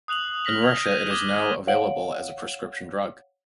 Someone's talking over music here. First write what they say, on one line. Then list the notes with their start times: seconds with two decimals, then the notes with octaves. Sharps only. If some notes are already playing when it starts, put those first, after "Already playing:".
In Russia it is now available as a prescription drug.
0.08 D#6 F#6 F7 F#7
0.45 F6 A#6 B6 F#7
0.62 F7
0.85 G6 G#6 A#6 D#7
1.10 D6 D#6 G#6 G7
1.67 C#5 F5 F#5 D7 F#7